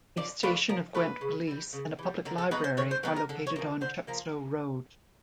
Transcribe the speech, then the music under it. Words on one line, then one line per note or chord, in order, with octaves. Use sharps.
A station of Gwent Police and a public library are located on Chepstow Road.
F3 D5
A3 D4 F4 B4
F3 A#4
A3 D4 F4 B4
C#3
E3 G3
C#3
E3 G3
D3 A#4
A4
F#3 B3 D#4 B4
C5
D3 C#5
C5
F#3 B3 D#4 B4
A#4
D3 A4
C#5
F3 A#3
D3 C5
F3 A#3 A#4